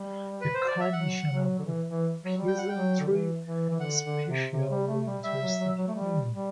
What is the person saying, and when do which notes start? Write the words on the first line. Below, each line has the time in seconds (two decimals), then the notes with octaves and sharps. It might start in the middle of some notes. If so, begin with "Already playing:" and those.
The condition of the peasantry especially interested him.
Already playing: G3
0.41 B4
0.54 C5
0.67 D5
0.80 E5
0.93 F#3 F#5
1.29 F#3
1.59 D3
1.65 E3
1.89 E3
2.25 F#3
2.37 G3
2.47 G5
2.58 F#5
2.69 F#3 G5
3.00 D3
3.08 E3
3.44 E3
3.70 E3
3.80 D3 F#5
4.04 D3
4.28 C3
4.52 C3
4.70 G3
4.88 A3
5.06 G3
5.24 G3 E5
5.41 F#3
5.59 F#3
5.78 F#3
5.88 A3
5.95 G3
6.31 G3